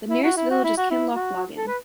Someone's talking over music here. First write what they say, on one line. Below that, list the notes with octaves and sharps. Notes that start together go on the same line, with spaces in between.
The nearest village is Kinloch Laggan.
E4
F#4
E4
F#4
E4
F#4
E4
F#4
A4
B4